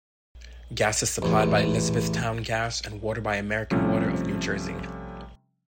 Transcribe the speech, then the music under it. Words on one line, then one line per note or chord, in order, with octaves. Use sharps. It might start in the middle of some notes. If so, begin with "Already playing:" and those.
Gas is supplied by Elizabethtown Gas and water by American Water of New Jersey.
A1 E2
C3 F3 G3 A3 C#4